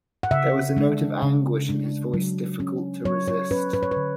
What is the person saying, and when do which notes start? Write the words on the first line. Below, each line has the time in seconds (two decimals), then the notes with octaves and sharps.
There was a note of anguish in his voice difficult to resist.
0.23 F#5
0.31 C#3 E5
0.77 G#3 D4
1.22 C#3
1.69 G#3 D4
2.14 F#3
2.60 C#4
3.05 F#3 C#5
3.28 C#5
3.51 C#4 B4
3.73 B4
3.83 C#5
3.91 B4
3.97 D3